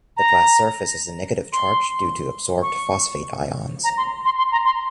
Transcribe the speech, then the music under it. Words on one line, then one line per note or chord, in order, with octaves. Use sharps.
The glass surface has a negative charge due to adsorbed phosphate ions.
A#5
C6
C#6
A#5
C6
C6
C6
A#5
C6